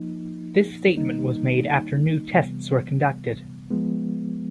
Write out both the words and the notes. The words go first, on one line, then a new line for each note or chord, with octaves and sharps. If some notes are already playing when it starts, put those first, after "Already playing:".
This statement was made after new tests were conducted.
Already playing: F3 A#3 D#4
D#3 G3 A#3 D#4
C3 E3 G3 B3
F3 G#3 B3